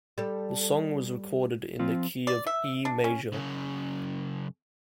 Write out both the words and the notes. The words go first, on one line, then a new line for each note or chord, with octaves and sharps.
The song was recorded in the key of E major.
G3 A4
F3 C4 F4
D5
E5
D4
C#4
F#2 C#3